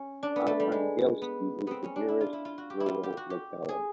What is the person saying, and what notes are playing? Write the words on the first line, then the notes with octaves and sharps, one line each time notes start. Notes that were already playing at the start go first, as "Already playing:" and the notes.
Arkhangelsky is the nearest rural locality.
Already playing: C#4
D4
B3
A3
G3
G#3
B3
B3 C4
C#4
D4
E4
F4
E4
F4
F#4
G4
E4
F4
G4
F#4
G4
G#4